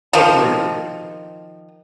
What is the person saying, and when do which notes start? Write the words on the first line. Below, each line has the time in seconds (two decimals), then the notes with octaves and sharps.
look through it?
0.13 D#3 F3